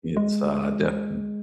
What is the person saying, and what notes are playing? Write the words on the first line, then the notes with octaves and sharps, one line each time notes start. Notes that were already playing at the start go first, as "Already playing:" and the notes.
it's, uh, definite
G#3